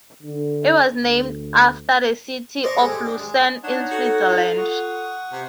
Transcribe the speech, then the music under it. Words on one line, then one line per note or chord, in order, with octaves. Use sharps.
It was named after the city of Lucerne, in Switzerland.
D3
D2
C5 D5 D#5 A5 A#5 C#6
G#3 G#4 A4 B5 D#6
G4
D4
G#3
D4 D#4 C#5 F#5
F#4 A4
F4
F#5 C#6 D#6
C3